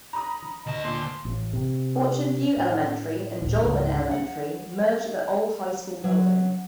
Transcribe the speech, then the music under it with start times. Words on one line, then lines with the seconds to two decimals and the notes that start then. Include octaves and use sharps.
Orchard View Elementary and Jolman Elementary merged at the old high school building.
0.13 A#5 B5 D#6
0.66 D2 D#5 A5
0.84 A#2 C6
1.25 A1
1.53 C3
2.57 A2
3.42 D1 A#1 A2
3.62 C#2 G#2
4.11 F#5
6.04 F#3